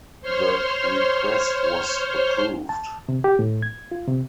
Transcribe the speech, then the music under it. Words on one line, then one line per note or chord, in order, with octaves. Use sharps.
The request was approved.
C5 C#5 C6 F6
A5
C3
G4
A2
G#6
F4
C3